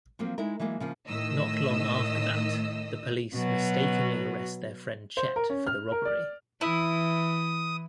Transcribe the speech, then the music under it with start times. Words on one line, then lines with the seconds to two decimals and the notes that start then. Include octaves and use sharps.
Not long after that, the police mistakenly arrest their friend Chet for the robbery.
0.19 F3 F#3 A#3 C4
0.38 G#3 D#4 E4 A#4
0.60 E3 F#3 G#3 A#3
0.80 C#3 F3 A#3
1.08 A2 D#3 D#5 E6
3.35 B2 F#3
5.17 C5
5.36 A#4
5.50 C#4
5.67 F6
5.92 A#4
6.05 D5
6.61 E3 E4 D#6